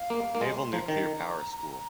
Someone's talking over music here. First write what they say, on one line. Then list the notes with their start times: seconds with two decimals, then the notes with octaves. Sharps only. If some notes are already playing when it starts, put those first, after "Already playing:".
Naval Nuclear Power School.
Already playing: F5
0.10 A#3
0.35 A#3
0.41 G#3
0.57 C6
0.73 F3 A#5
0.88 D#3